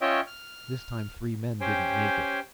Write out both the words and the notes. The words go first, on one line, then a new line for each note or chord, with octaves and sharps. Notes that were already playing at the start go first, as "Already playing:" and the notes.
This time three men didn't make it.
C#4 F4 C#5 D#5 E5 G5
F6
C#4 G4 C5 G5 G#5